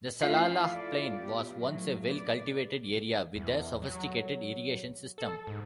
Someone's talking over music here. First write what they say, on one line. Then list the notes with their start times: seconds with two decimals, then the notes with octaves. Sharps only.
The Salalah plain was once a well cultivated area with a sophisticated irrigation system.
0.22 A3 C#4 E4 F4 C7
0.65 E4 A4 D5
1.16 B3 G4
1.54 A2 F#3
2.09 B3 D5
3.35 E2
3.82 F#3
5.18 A4
5.47 G#2